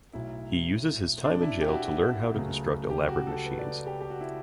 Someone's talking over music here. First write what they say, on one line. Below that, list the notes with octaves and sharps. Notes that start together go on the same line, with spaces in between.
He uses his time in jail to learn how to construct elaborate machines.
B1 A2 F#3 E4
D4
E4
G4
F#4
E4
F#4
C#2 C#3 F#3 A3
G4
F#4
A4
B4
D5
G4
G4
F#4
E4